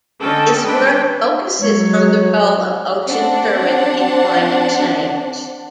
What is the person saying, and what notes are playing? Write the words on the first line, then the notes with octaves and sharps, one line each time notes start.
His work focuses on the role of ocean currents in climate change.
D3 C#4 A4 D#5 G5 A5
G3 D4 B4 G5
F#3 G#3 C#5
C4 D4 F#5